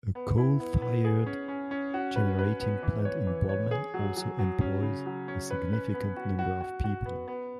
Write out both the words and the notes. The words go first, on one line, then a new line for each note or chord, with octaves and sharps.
A coal-fired generating plant in Boardman also employs a significant number of people.
B3
E4
B3
B3
G#4
C#4
C#4
C#4
F#4
B4
B4
B3
E3
C#5
E3
C#5
G#4
F#3
F#3
F#3
C#4
C#3
F#3
C#4
B4
B4
B3
F#4
F#4
F#4
F#4
B3
B3